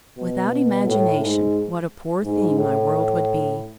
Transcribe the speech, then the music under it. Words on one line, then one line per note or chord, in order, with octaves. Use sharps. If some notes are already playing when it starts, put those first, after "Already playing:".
Without imagination what a poor thing my world would be!
B2
A2
G#2
G#2
A2